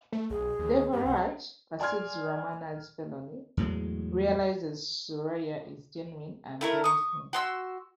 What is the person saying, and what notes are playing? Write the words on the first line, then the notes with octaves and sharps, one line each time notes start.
Devaraj perceives Ramana's felony, realises Surya is genuine and bails him.
A3
B1 G#4
D#2
G2 G4
C2 F#5
D5 G#5 C6 F6 G#6
E2 A2 F#3 G#3
A3 E4 A#4
C#6 D#6
F#4 C6 E6